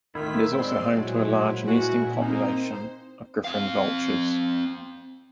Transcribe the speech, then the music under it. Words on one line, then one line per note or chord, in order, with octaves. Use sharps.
It is also home to a large nesting population of Griffon vultures.
A2 D#3 E4 F4 E6 B6
G#3 C4 D5 C6
A#2 F#3 E4 C5
F#4 G#5
A#3 C4 D#4 C5
C4 F5